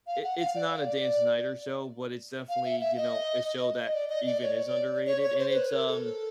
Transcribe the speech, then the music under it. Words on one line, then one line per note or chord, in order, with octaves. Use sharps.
i it's not a Dan Snyder show, but it's definitely, you know, a show that even is underrated, and it's um
F5
F#5
F5
D5
D5
D5
F5
E5
E5
D#5
D#5
D5
D#5
D5
C#5
D5
C#5
C#5
C5
C5
B4
A#4
A4